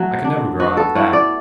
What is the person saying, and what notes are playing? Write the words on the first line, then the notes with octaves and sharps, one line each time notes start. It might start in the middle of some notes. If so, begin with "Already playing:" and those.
I can never grow out of that.
Already playing: F#3 A3
D4
B3 F#4
A4
E4 C#5
D5